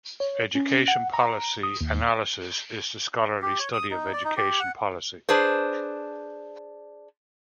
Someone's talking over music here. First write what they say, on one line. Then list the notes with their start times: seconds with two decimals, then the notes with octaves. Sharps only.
Education policy analysis is the scholarly study of education policy.
0.20 C#5
0.55 C#4
0.88 F#5
1.14 A#5
1.63 D#6
1.81 D#2
3.42 G4
3.59 C#5
3.73 D#6
3.91 D#4
4.13 D5
4.25 D#4
4.37 G4
4.60 F#5
5.29 D4 G#4 B4 C5